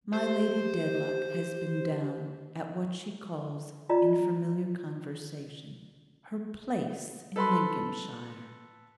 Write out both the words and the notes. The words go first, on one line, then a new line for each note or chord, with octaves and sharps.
My Lady Dedlock has been down at what she calls, in familiar conversation, her "place" in Lincolnshire.
G4 C5
F4 D5 D#5 A#5
A4 B4 B5 C6